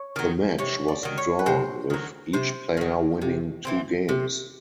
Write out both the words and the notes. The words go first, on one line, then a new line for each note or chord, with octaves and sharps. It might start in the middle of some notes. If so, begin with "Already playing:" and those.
The match was drawn with each player winning two games.
Already playing: C#5
D#3 F#3
C3 C#5
D5
D#3 F#3
C#5
B4
C3 C5
D#3 F#3
C3 C5
D#3 F#3
C3
E3 G#3 C4
C3